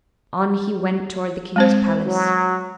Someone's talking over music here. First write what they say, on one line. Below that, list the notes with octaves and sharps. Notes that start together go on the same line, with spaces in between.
On he went toward the king's palace.
G#3 C4 C5
F#3